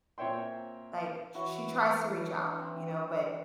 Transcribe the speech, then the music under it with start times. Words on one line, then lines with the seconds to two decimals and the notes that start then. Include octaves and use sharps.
like, sh sh she tries to reach out, you know, but
0.18 A#2 C4 C#5 E5 G5 C6
1.35 E3 E4 F#4 C#5
2.25 D4
2.59 C4